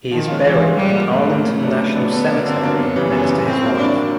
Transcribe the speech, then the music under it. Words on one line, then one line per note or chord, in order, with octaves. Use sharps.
He is buried in Arlington National Cemetery next to his wife.
D#3 F3
G#3 C#4 F4
E3 F3
G#3 C#4 F4
G#2 G3
F3 A#3
G#2 A3
F3 A#3
C#3
F#3 B3 D4
C#3
F#3 B3 D4
D3 B3
F#3 A#3 D4
D3 C4
F#3 A#3 D4
F#2 B3
C#3 E3 G3
F#2 B3
C#3 E3 G3
A2 C4
F#3 A#3
A2 D4
F#3 A#3